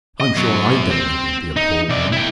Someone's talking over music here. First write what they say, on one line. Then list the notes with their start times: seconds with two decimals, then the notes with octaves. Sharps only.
I'm sure I don't know who'd be a poor woman!
0.20 D#5
0.36 F#2 F#3
0.91 C4
1.56 D#4
1.89 C3 D5
2.12 E4 G5